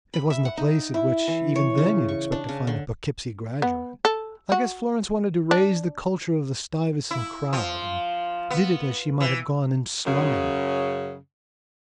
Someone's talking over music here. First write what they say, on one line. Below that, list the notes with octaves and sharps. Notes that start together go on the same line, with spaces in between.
It wasn't the place at which, even then, you expected to find a Poughkeepsie graduate. I guess Florence wanted to raise the culture of the Stuyvesant crowd and did it as she might have gone in slumming.
B5
E5
F#5
D#4
E4
E3
C#5
C#3
C#6
D4
C#3
D3
B3
A4
F#4
D4
E4
F3
B3
E3
F#2 C#3